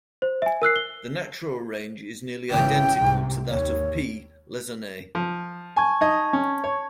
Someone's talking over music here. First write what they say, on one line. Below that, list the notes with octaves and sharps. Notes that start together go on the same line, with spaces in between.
The natural range is nearly identical to that of "P. lessonae".
C5
E5 G#5
A#4 E6 F#6 C7
G7
G#1 C#3 E3 G5
C2 G#2 C3
D#2 C#5
F3
G#5 A5 C#6 G#6
D#4 D#5 A5 G#6
C#4
C#5